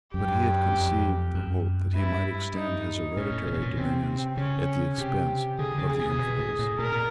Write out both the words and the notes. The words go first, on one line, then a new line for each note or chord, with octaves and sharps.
But he had conceived the hope that he might extend his hereditary dominions at the expense of the Infidels.
F#2 G4
F2
F#2
G2 E4
D#4
A2 C#4
A2
A#2
A2
A#2
C3 C4
C#3 C#4
C3 G4
D3 G#4
C#3
G#4
C3
B2
A2
A2
A#2 A#4
A#2